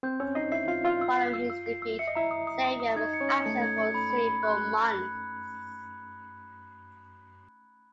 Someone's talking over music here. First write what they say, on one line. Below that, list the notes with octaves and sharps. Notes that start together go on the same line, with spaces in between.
Following his defeat, Xavier was absent for several months.
C4 C5 G6
C#4 C#5 E6
D#4 D#5 C7
E4 E5 C7
F4 F5 C7
F4 F5 E6
E6
C7
E6
E6
C7
E6
E5 C#7
D#5
E4 E5 A#5
D#6
D#6
D#6
D#6
D#4 D#5 G#6
C#7
C#4 C#5
C#7
A3 A4 C#7
G#6
C#7
B5
B5
B5
F#6